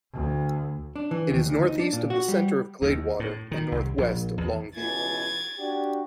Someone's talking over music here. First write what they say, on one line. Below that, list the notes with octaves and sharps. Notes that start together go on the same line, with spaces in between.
It is northeast of the center of Gladewater and northwest of Longview.
D2
D4
E3
D#2
D2
D#4
D4
A#2
F#4
G3
D#2
A2
D#3
C2
A#1
E2
C#2 B2 E3 G#6 A6
D4 F#4 G4